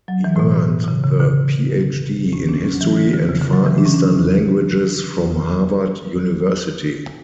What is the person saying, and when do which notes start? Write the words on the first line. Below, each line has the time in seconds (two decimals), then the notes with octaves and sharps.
He earned the Ph.D. in history and Far Eastern languages from Harvard University.
0.08 F#3
0.24 E3
0.36 A2
0.39 B2
0.84 B2
0.88 C#3
1.04 C#3
1.20 D3
2.33 C#4
2.49 D4
2.65 C#4
2.75 F#3
2.81 E3
2.97 D3
3.13 D3
3.29 C#3
3.41 D3
3.53 F#3
3.66 E3
3.78 D4
3.86 C#4
3.94 D4